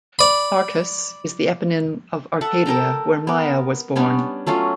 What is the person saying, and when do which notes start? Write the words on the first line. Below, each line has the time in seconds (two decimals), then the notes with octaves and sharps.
Arcas is the eponym of Arcadia, where Maia was born.
0.19 D5 B5
2.41 A4 E5 F#5
2.66 A4 A#4 G5 A#5
3.27 B3 A#4
3.96 G3 B3 C#4 D4
4.46 F#3 A3 C#4 F4